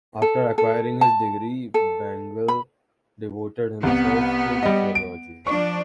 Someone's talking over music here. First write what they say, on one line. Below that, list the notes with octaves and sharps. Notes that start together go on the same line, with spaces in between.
After acquiring his degree, Bengel devoted himself to theology.
A4
A4
A5
A4
B5
C2 B3
G3 D#5
D7
F3 D4 C#6